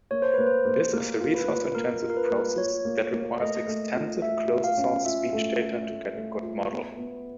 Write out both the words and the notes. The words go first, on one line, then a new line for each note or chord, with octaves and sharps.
This is a resource-intensive process that requires expensive closed-source speech data to get a good model.
A#3 C#5
C5
A#3 B4
C5
A#3
A#3 A#4
F4
B4
A#3
A#3 A#4
F4
A#4
B4
A#3
F4 C#5
A#3
A#3
A3 D#5
A3
F4
A3 E5
F4
F5
C#4
F4 E5
A3
A3
A3
A3
F4
B3
B3